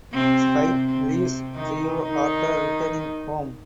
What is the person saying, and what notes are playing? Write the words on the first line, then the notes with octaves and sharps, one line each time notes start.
Spike leaves trio after returning home.
C3 C4
C3 C4
C3 C4
D#3 D#4
D#3 D#4